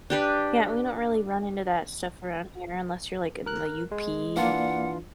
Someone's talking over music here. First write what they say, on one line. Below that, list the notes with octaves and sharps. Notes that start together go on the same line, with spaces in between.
Yeah, we don't really run into that stuff around here unless you're, like, in the UP
D4 G4 B4
A#4 F#6
G#3
E3 A#3 D4 F4 D5 F5 F#5